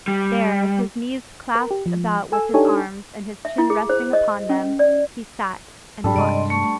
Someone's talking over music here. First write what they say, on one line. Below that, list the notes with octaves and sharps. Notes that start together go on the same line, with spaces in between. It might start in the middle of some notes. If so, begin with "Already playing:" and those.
There, his knees clasped about with his arms, and his chin resting upon them, he sat and watched.
G3
A#4
G4
F3
A4 G#5 E6
D4 D#4 G4 A4 C#5 G#5
E5
E4
G#4
C5
D#5
C#4
D5
G#2 F#3 G3 D4 A4
G2 C3 G#3 D5 D#5 C6
A3 C#6